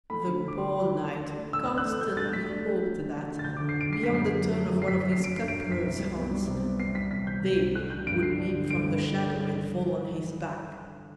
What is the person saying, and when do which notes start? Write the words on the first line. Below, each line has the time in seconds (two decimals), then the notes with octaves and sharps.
The poor knight constantly hoped that, beyond the turn of one of these cut-throats' haunts, "they" would leap from the shadow and fall on his back.
0.10 A3 B5
0.26 D3
0.42 D3
0.48 D6
0.58 D4 C6
0.74 D4
0.90 D4
1.06 D4
1.21 D4
1.37 A3
1.53 A3 E6
1.66 D4 E6
1.78 F#6
1.85 A3
2.01 A3 G6
2.17 D4 A6
2.33 A3 B6
2.49 D4
2.65 A3
2.81 D4
2.97 D3
3.13 D4
3.29 D4
3.39 A6
3.44 D2 G6
3.57 D6
3.60 D3
3.69 C7
3.77 D3 D7
3.93 D3 C7
4.04 B6
4.09 F#2
4.14 C7
4.24 F#3
4.40 F#3
4.56 F#3
4.72 F#2
4.82 C7
4.88 F#2 B6
5.00 F#3 B6
5.12 C7
5.20 F#2 D7
5.36 D3 C7
5.48 D7
5.52 D3
5.60 C7
5.67 F#2 B6
5.83 C2
6.00 G3
6.16 B3
6.31 G3
6.47 C3
6.64 B3
6.79 B3 C7
6.95 G3 B6
7.11 C2 B6
7.27 C2 G6
7.43 C2
7.59 C3
7.75 A3 F#6
7.90 D4 G6
8.07 G2 D7
8.23 D3 C7
8.39 D4
8.55 D3
8.70 D3 D7
8.86 G2